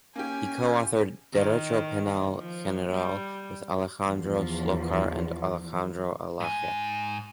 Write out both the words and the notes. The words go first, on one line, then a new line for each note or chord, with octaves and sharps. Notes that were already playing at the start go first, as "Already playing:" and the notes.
He co-authored "Derecho Penal: General" with Alejandro Slokar and Alejandro Alagia.
A#3 C#4 G4 G#5
D#3
F3
G3
E2 F3
G#2 G#5